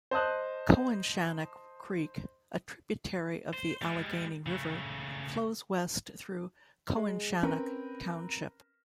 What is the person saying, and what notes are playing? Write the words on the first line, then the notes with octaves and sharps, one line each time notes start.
Cowanshannock Creek, a tributary of the Allegheny River, flows west through Cowanshannock Township.
C5 D#5 A5 D#6 F#6
C5
G3 G#3
C#3 A3
G#3
C4 C#4 A#4 B4